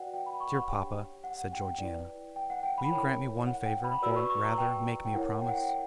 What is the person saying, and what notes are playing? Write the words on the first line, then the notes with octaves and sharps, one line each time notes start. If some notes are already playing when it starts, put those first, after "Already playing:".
"Dear papa," said Georgiana, "will you grant me one favour; or, rather, make me a promise?"
Already playing: F#4 B4 D5 F#5 G5
G5
B5
C#6
F#5
D4 G4 C#5 G5
F#5
F#5
G5
G5
E4 B4 D5
G5
F#5
G5
B5
E4 A#4 C#5 G5
F#5
G5
B5
F#4 B4 D5 E6
C#6
C#6
A#5
G5
G5
E4 A#4 C#5 F#5
G5
F#5
G5
G5